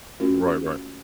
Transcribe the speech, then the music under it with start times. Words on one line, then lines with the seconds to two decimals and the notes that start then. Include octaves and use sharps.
Right, right.
0.20 A3 C#4 F4 F#4 A#4